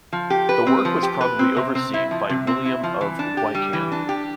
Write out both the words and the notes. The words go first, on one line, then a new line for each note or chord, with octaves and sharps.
The work was probably overseen by William of Wykeham.
F3
G4
B4
C4
F3
G4
B4
C4
C3
C4
E4
F3
C3
C4
E4
F3
E3
D4
G4
G3
E3
D4
G4